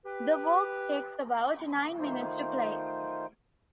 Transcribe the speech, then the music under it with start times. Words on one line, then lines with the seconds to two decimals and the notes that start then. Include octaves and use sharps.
The work takes about nine minutes to play.
0.05 G4 B4
1.99 D#3 A3 D#4 F4 C5